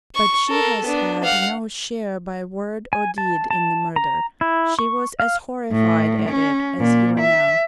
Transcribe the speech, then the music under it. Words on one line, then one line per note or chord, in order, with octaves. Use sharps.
But she has had no share by word or deed in the murder; she was as horrified at it as you are now.
C#6
A4 A#4
B3 D4
F5 F#5
G#5
A5
A5
A#5
E4
C#6
F5
A2
C#4
A#2
E5